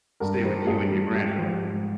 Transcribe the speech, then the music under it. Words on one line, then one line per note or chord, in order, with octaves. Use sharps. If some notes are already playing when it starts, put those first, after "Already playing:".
stay with you and your granddaughter?
G2 A#4
G3 C5
A#4
G2 G#4
G3
G#2 G4
F3
G#2